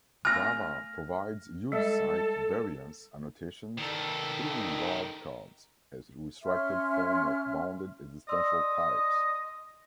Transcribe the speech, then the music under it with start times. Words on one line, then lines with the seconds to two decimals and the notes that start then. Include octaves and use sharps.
Java provides use-site variance annotations through wildcards, a restricted form of bounded existential types.
0.25 A3 G#5 F6 A#6
1.72 G3 G#3 A4
3.78 D#3 A4
6.45 C#4 E5 C6 F6
8.29 D5 D#5 C6 E6